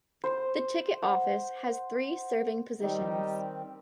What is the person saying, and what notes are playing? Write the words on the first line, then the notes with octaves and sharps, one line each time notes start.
The ticket office has three serving positions.
C5
F#5
D#3 G3 C4 D#4